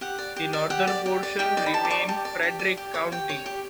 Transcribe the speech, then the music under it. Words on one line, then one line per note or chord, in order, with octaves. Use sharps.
The northern portion remained Frederick County.
G4 F#5
D5
G4
D5
G4 F#5
D5
G4
D5
G4 G5
D5
B5
G4 A5
D6
D5 C#6
G4 A5
D5
G4
D5
G4
C#5 D6
G4 G5
C#5
G4